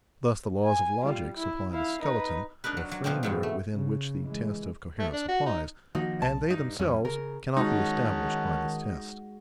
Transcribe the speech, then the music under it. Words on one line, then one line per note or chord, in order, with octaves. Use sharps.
Thus the laws of logic supply the skeleton or framework within which the test of coherence applies, and they themselves cannot be established by this test.
G#5
G3 F4
E4
E4 F5
D#4 B4
D4 D#4 A#4 B4
F#3
F#3
B2 F3 A#3 C4
E2 G#2 F#3
A3
C#3
E3 G#3
A3
D4
F#4
D#4
D#3 F3 A#3 D#4 F#4
B1 A5
G2 D#4
F2 G3 C#4
C#3 A#4
D#3 G#3 C#4 D#4 F#4 F#5 A5